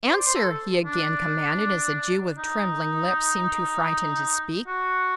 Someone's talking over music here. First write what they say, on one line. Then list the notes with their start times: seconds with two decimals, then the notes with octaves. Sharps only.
"Answer!" he again commanded, as the Jew with trembling lips seemed too frightened to speak.
0.10 C5
0.18 D5
0.26 C5
0.35 A4
0.86 D4
2.38 D#4
4.68 F#4